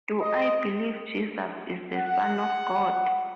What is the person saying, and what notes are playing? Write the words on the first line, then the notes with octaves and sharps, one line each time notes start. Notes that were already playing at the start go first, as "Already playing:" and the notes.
Do I believe Jesus is the son of God?
D#5
F#5